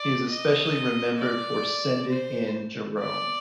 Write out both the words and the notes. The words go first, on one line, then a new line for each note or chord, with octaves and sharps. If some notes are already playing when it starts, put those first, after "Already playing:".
He is especially remembered for Send It In, Jerome!
Already playing: D5
D#5
D5
C5
D5